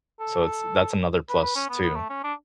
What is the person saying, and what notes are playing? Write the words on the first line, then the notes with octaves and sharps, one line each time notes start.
So it's that's another plus, too,
A4
B4
B4
C#4
B3
B3
A3
C#4
D4